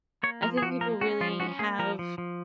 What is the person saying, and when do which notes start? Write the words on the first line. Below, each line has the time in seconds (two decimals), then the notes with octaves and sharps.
I think people really have
0.23 A#3 C#5
0.43 F3 A#4
0.57 G#4
0.62 F3 F#4
0.81 A#3 A#4
1.01 C#4 F#4
1.21 F3 F4
1.40 C#4 F#4
1.59 A#3 G#4
1.79 F3 A#4
1.99 F3
2.18 F3